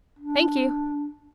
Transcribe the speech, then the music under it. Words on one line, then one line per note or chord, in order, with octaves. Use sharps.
Thank you.
D4